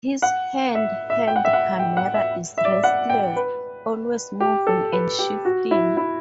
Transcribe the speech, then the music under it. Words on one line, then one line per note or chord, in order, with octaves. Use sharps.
His hand-held camera is restless, always moving and shifting.
F#5
E5
E5
G5
F#5
E5
F#5
G5
F#5
E5
E5
D5
E5
F#5
G5
B4
G4
A4
B4
G4
F#4
E4
E4